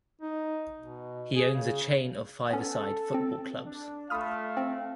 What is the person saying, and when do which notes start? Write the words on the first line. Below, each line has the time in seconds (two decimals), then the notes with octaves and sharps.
He owns a chain of five-a-side football clubs.
0.21 D#4
0.79 B2
1.35 G#4
1.54 C#3
2.51 B3 C#4 A4
3.14 C4
3.65 D4
4.10 A3 F4 F5 B5 D#6 F6
4.57 C4